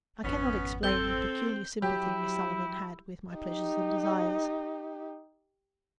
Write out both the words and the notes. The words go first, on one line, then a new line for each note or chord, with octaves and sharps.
I cannot explain the peculiar sympathy Miss Sullivan had with my pleasures and desires.
G#1 F2 B3 C#4
C4 A4 G6 G7
F#3 E4 G4
D#4 G4